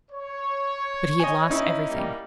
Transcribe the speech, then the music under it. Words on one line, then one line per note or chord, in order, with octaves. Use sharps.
But he had lost everything.
C#5
D#5 G#5
C#4 D#4 E4
G3 A#3